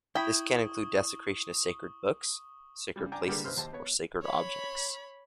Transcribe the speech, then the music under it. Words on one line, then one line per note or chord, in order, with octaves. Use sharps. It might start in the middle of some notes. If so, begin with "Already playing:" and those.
This can include desecration of sacred books, sacred places or sacred objects.
E4 G5 B5 C#6 D#6 G7
C#3 G3
D4 G5 G#5 A#5 D6
D3 G3 A#3 G4 G#4 B4
B1 B4 C5 F6
D#2 C5 A5
B3 C#5
C#5 B5